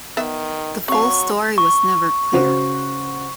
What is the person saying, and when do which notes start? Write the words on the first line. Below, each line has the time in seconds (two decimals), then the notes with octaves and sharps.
The full story was never clear.
0.17 D#3 B3 E5
0.88 F#3 C4 F5 C#6
1.58 C#6
2.33 C#3 F#4 C5